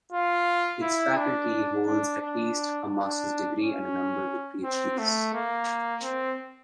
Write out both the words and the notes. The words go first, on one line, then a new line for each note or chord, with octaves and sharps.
Its faculty holds at least a master's degree and a number with PhDs.
F4
E4
D4
D4
D4
D4
C#4
C4
A3
A#3
C4